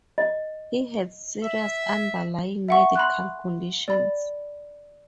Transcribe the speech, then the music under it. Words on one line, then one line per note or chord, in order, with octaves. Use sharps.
He had serious underlying medical conditions.
D#5
E5
E5 F#5 C#6
B5 C6 F#6
D5 B5